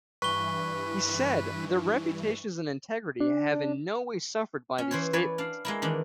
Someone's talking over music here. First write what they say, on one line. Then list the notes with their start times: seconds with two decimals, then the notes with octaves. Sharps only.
He said, Their reputations and integrity have in no way suffered by these statements.
0.22 G2 E3 B4 C#6 G7
3.20 D4
4.78 C#4
4.91 E3 C5 C#5
5.13 B4 C#5 D5 G#5
5.38 D4 F5
5.65 G#3 A#3 E4
5.82 D#3 E3 D4